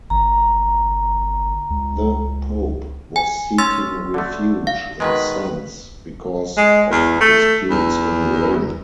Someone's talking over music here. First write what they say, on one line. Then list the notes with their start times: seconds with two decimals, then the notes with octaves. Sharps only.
The Pope was seeking refuge in Sens because of disputes in Rome.
0.10 G1 A#5
1.70 C#2
3.16 G#5
3.58 C#4 C6 E6 A6
4.14 D3 A3
4.67 F5
5.00 B2 D#3 G#3 B4
6.57 G#3
6.91 E2
7.21 A3
7.70 E2